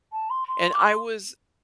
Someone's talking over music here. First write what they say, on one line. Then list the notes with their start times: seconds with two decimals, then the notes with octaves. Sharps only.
And I was
0.12 A5
0.30 C6
0.48 C6
0.73 D6
0.84 C6